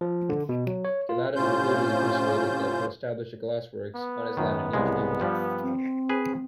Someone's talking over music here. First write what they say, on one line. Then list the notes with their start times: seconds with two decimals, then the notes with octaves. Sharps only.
Gallatin reputedly persuaded them to establish a glassworks on his land in New Geneva.
0.01 F3
0.29 D3
0.49 B2
0.67 F#3
0.85 C#5
1.09 F4
1.35 A2 C3 C#4 F4 C5 G6
3.95 B3
4.37 F#2 D#3
4.73 C2 C#3 G#3
5.20 G2 F3 G3
5.61 C4
6.09 G#4 B4